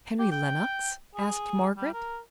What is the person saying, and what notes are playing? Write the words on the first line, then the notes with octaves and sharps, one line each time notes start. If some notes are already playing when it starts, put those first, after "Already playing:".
Henry Lennox?' asked Margaret.
G4
G5
G#4
G3
A#4